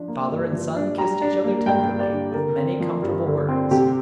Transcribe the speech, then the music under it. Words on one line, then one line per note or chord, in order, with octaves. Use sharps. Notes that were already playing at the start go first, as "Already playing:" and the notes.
Father and son kissed each other tenderly, with many comfortable words.
Already playing: F3 D4
A#3
G2
F3
D4
G3 A#5
D4
A#3
G2 G5
G3
D5
D4
D3 A#4
C4
F3
G2
D3
C4
C3 G4